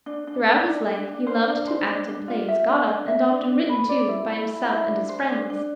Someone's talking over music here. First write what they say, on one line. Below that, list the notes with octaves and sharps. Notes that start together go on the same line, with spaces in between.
Throughout his life he loved to act in plays got up and often written, too, by himself and his friends.
D4
D4
D4
D4
D4
D4
C5
D4
C5
D4
D4
F4
E5
D4
D4
E5
D4
D4
B4
D5
E4
E4
E4
E4
D4
C5
D4
D4